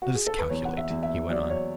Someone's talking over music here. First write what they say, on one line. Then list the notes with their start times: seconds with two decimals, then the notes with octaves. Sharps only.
"Let us calculate," he went on.
0.02 F#4
0.15 G#4
0.27 A4
0.39 B4
0.50 E2 C#5
0.65 F#5
0.77 E5
0.90 E2
1.03 E5
1.30 F#3 D5
1.50 C#5